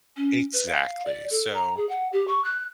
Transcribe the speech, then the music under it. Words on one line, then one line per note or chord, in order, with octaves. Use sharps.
Exactly, so
C#4
B4
F5
D5
A4
A#5
G#4
F#5
G4
C#6
F#6